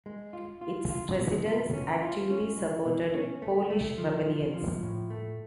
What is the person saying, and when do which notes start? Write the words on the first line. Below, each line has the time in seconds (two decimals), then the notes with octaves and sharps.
Its residents actively supported Polish rebellions.
0.06 G#3
0.33 F4
0.61 F4
0.90 F4
1.18 B2
1.46 F4
1.74 C#4
2.02 F4
2.30 C#4
2.57 G#3
2.86 B2
3.14 C#4
3.42 A3
3.70 A3
3.98 F3
4.26 F3
4.54 F3
4.83 A2
5.10 A3